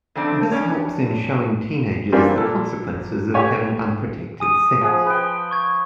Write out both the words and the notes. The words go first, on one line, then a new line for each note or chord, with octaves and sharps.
This helps in showing teenagers the consequences of having unprotected sex.
F2 A3 C4 D4
F2 C#4 D4 C#5
E3 G3 A#3 C4 D4 F4
A#2 A4
A2 G4 C#5 G#5
G#5 D#6 D#7
F3 G#4 F#5
B4 G5
C#6 G#6